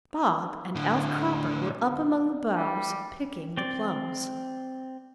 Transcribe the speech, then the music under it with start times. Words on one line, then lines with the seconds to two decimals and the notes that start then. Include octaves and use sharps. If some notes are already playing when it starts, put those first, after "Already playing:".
Bob and Alf Cropper were up among the boughs picking the plums.
0.75 A2 D3
2.56 G3
3.57 C4 D5